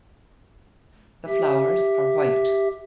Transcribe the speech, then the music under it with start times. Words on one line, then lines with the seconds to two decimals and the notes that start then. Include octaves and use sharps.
The flowers are white.
1.27 G4 E5